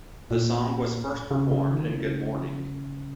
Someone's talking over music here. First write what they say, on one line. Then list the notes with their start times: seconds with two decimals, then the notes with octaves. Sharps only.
The song was first performed in Good Morning!
0.31 A#2
1.31 C#3
1.51 C#3
1.71 D#3
1.92 C#3